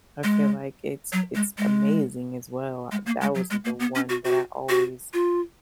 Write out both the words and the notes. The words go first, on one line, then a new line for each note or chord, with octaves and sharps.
I feel like it's it's amazing as well, I that wasn't the one that I always
G#3
F#3
G#3
G#3
G#3
A#3
G#3
F#3
G#3
A#3
B3
C#4
F#4
F#4
F#4
F4